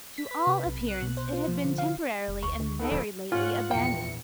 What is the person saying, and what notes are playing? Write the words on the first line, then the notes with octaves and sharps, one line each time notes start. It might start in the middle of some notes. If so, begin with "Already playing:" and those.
To all appearance it had been temporarily and very lately abandoned.
B6
B4
C3
B1
F#6
B2
C5
F4
F3
D3
F5
F1
D2 C#6
D3
B3 D#4 A4
D1 F2 C4 A4 D7
G#2 C#4 F4 F#5
A#1 E2 G5 C#7